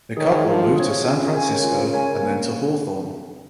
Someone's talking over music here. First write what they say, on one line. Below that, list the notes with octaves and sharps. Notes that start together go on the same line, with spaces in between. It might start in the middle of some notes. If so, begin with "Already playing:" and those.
The couple moved to San Francisco and then to Hawthorne.
D#3 G#4 C#5
F3 F4
G#4 C#5
C#3 F4
A#4 C#5 G#5
F4
A#4 C#5 G#5
A#3